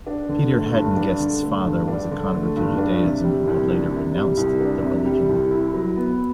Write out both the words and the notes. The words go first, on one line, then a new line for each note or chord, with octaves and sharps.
Peter Haden-Guest's father was a convert to Judaism who had later "renounced" the religion.
D4
D3
A3
G2
D4
D3
A3
G2
D4
D3
A3
G2
D4
C3
G3
C2
D4
C3
G3
C2
D4
C3
G3
C2
E4
F#3
B3